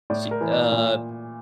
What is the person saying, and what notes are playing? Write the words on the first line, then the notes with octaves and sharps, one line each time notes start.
she, uh,
A2 D5
A#4
E3
D5
A#2